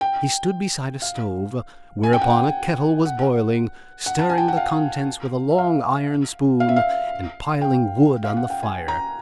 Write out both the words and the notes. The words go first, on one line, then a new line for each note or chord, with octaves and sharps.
He stood beside a stove--whereupon a kettle was boiling--stirring the contents with a long iron spoon, and piling wood on the fire.
G5
F5
G#5
G5
F#5
G5
F#5
F#5
A5
G#5
G5
F#5
F5
E5
F5
F5
E5
F5
G5
F5
F#5
G5
G#5
A#5